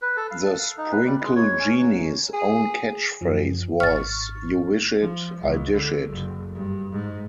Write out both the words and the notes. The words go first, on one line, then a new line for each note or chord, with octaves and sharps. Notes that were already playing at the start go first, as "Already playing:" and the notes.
The Sprinkle Genie's own catchphrase was: You wish it, I dish it!
B4
A4
F5
A4
F5
D#4
B4
G3
G#3
C#5
C#4
F#3
G#4
F#2 F3
G#1 C#6 F6 A6
F3
C#2
D3
F#1
G2
G#2